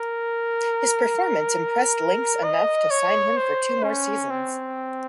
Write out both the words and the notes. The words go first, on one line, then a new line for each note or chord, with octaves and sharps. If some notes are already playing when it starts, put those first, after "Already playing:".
His performance impressed Lynx enough to sign him for two more seasons.
Already playing: A#4
D#5
C#5
C5
C#4
C4